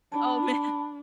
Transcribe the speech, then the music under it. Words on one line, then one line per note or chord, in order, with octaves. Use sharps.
Oh, man.
D4 A5 B5